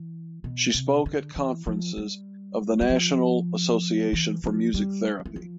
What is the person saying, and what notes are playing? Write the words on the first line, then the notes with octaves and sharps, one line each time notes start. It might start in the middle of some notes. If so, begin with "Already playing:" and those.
She spoke at conferences of the National Association for Music Therapy.
Already playing: E3
B2
C3
D3
E3
F3
G3
G3
F3
E3
F3
G3
E3
F3